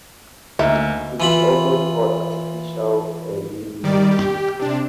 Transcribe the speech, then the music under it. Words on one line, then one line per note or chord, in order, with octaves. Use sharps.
It is also called artificial vermillion.
D2 A#3 D#4 E5
E3 F4 B5
D#3 G3 D5
G4
C3 D4